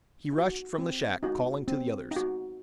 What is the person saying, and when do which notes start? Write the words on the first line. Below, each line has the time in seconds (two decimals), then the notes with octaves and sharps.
He rushed from the shack, calling to the others.
0.33 D#4
0.38 F#4
0.78 C4
1.23 D#4 F#4
1.68 C4
2.11 D#4
2.16 F#4